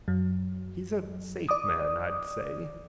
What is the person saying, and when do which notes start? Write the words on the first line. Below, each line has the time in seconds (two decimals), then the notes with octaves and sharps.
He's a safe man, I'd say.
0.08 F#2 F#3
1.49 D5 D6 D#6